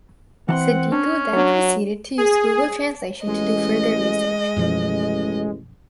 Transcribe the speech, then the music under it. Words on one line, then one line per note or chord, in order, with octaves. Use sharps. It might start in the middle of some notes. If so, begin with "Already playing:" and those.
Sadiku then proceeded to use Google translation to do further research.
E3 C4 F#5 A5 C6
C#4 D4
F#3 D4 C#5
G#4
A1 G#3 D#5
A1 F#2 B2 F3